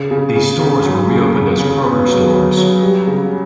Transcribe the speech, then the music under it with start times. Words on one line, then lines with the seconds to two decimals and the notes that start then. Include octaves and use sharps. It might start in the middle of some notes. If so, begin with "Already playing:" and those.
These stores were reopened as Kroger stores.
Already playing: C#3
0.11 C#3
0.36 C#3
0.60 C#3
0.85 F#3
1.09 C#3
1.34 C#3
1.59 C#3
1.84 B3
2.08 F#3
2.33 F#3
2.57 F#3
2.83 G3
3.07 C#3